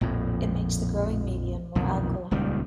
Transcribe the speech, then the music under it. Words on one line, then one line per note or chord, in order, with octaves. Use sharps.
It makes the growing medium more alkaline.
A#1 F2 A2
B1 F2 A#2 D#3
D#1 C#2 D#3 G3